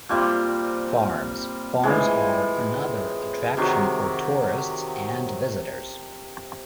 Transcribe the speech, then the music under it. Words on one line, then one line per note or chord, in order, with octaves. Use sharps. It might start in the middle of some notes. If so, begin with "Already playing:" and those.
Farms : Farms are another attraction for tourists and visitors.
A#2 G3 C4 F4
A2 E3 G#3
C3 D#3 F#3